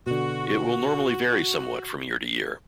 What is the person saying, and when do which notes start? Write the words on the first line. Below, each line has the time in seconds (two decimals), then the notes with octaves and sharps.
It will normally vary somewhat from year to year.
0.07 B2 D3 F#4